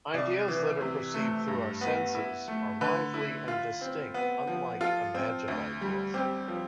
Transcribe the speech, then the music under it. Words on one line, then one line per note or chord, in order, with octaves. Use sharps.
Ideas that are perceived through our senses are lively and distinct, unlike imagined ideas.
C2 D5
E3
C3
A3
G2
B3
E4
A3
D3 B4
E4
F4
C4
B3
F3
F4 A4
C4
D2
G3
C4 G4
F3